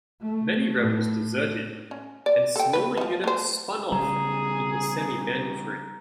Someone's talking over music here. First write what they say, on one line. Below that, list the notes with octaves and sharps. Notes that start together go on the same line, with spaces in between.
Many rebels deserted, and smaller units spun off into semi-banditry.
A3
A2
C#4
D5
A4 G5
A3 B4
F3 D#4
A3 C5
C#3 G3 G#4 A#5